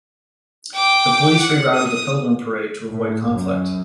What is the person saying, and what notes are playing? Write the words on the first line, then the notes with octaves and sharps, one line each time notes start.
The police rerouted the Pilgrim parade to avoid conflict.
G5 D6
F#5
D#6
A2
F#2